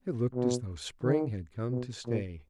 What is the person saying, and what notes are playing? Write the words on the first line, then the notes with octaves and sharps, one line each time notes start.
It looked as though spring had come to stay.
B2
D#3
B2
A#2